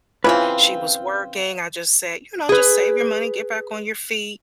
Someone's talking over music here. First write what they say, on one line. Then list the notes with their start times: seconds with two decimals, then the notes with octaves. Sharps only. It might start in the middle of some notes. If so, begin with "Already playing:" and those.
she was working. I just said, you know, "Just save your money, get back on your feet."
0.24 C#3 E3 C4 F4 B4
2.49 G#4 B4